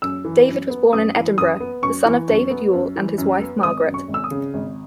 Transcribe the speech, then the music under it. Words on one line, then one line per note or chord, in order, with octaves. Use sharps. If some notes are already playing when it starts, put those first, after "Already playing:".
David was born in Edinburgh, the son of David Yule and his wife Margaret.
F#2 E6
E3
F#2
B3
F#2 D#6
E3
F#2 D#6
B3
F#2 C#6
E3
F#2
B3
F#2
E3
F#2
B3
G#1 D#6
F#2
C#6
G#1
E6
D#6
C#3
G#1